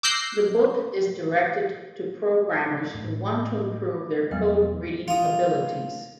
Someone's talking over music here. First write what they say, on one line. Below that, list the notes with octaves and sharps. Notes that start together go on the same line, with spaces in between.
The book is directed to programmers who want to improve their code reading abilities.
D6 E6 F#6 G6 A#6 C7
A2
E1 F#3 G3 B3 D#5
F4 D#6